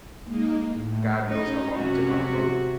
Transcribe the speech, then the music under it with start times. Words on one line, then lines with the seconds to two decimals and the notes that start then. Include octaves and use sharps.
god knows how long it took on a boat.
0.24 G#3 A#3 D#4
0.72 A2
1.28 C#4 D#4
1.77 C3 F#4